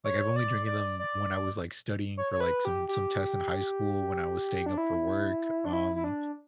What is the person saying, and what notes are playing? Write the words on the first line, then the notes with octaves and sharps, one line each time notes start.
Like, I've only drinking them when I was, like, studying for, like, some some tests in high school when I was staying up for work, um
C#5
D5
D5
D5
C#5
C#5
B4
G4
G4
D4
E4
D4
E4
E4
D4